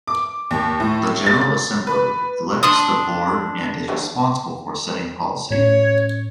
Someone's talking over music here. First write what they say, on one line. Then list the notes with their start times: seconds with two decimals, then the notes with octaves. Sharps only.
The General Assembly elects the Board and is responsible for setting policy.
0.07 D6
0.51 D#2
0.80 A2
1.26 A6
1.87 B4
2.63 D4 C6 D#6
5.51 A2 C#4 C#5